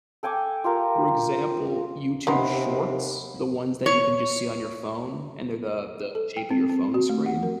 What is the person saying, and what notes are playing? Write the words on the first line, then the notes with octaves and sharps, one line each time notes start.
for example, YouTube Shorts, the ones that you can just see on your phone, and they're the the shape of your phone screen.
A4 G5 G#5 D6
F4 G4 A#4
D#2 C3 D#3 B3 D#4 F#5 B5 C6
C#5
A4
G5
C4
C4
F#4
A3
F#5
A#4